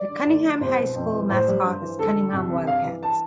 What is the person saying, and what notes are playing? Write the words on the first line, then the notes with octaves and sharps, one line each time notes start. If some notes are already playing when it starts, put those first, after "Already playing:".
The Cunningham High School mascot is Cunningham Wildcats.
Already playing: D5
D3
D2
D3
C2 C5
B2
F2
E3
A2 C5
G3
G2
E3
D2 A4
D3
C2
C3
G2 F5
E3
A5